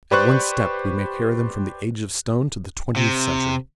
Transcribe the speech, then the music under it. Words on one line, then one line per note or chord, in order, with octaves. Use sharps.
At one step we may carry them from the Age of Stone to the twentieth century.
G4 B4 C5 D5 C#6 F#6
C3